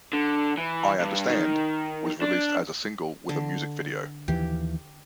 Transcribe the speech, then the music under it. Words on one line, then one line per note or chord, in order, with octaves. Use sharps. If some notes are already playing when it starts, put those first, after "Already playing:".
"I Understand" was released as a single with a music video.
D3
E3
G2
D#3
D4
D3
D#2 E3 F3 G4